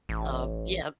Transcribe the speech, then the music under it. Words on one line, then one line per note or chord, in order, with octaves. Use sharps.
Um, yeah
A1